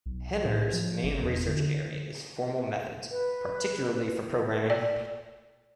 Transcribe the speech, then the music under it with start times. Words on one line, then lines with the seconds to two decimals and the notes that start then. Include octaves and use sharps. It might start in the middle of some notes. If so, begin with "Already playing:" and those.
Hehner's main research area is formal methods, particularly for programming.
0.06 B1
0.45 A2
0.73 F3
1.04 G1
1.23 E2
1.48 D3
3.11 B4
4.70 D5